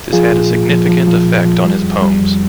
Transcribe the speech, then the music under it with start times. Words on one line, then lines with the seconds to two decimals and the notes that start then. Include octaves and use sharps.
This had a significant effect on his poems.
0.13 F3 F4 G#4
0.32 A#2
0.51 A#2
0.70 F3
0.89 F3
1.07 F3
1.26 A#2
1.45 F3
1.64 G3
1.83 F2
2.02 G3
2.21 F2